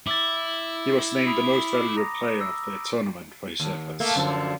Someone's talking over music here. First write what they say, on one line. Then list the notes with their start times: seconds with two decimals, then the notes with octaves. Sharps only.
He was named the Most Valuable Player of the tournament for his efforts.
0.07 E4 D6 E6 A6
1.27 B5 D#6 F7
1.73 D6
1.97 A#5 D#6 A#6
2.41 E6
3.60 D#2
4.00 A3 A#3
4.16 F#2 D3 F3